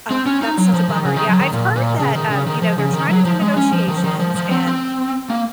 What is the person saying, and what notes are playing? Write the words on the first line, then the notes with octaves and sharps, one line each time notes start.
Ugh, that's such a bummer. Yeah, I've heard that, um, you know, they're trying to do negotiations, and
C4
C#4
D#4
F#3
F3
D#3
C#3
D#3
F#3
D#3
A#2
A#2
C#3
D#3
C#3
D#3
F3
C#3
D#3
F#3
F3
G#3
C#4
F3
D#3
F3
D#3
F3
F3
C4
C4
A#3